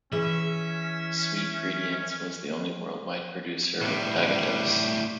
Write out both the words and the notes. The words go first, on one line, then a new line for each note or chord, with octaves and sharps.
SweetGredients was the only worldwide producer of tagatose.
E3 C#4 G#4 E5
A2 G3